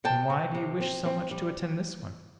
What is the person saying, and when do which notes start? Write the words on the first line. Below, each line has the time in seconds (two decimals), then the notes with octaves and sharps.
"Then why do you wish so much to attend this one?"
0.04 C3 G5 A5
0.30 C3
0.55 C3
0.80 C4
1.06 C4
1.31 G3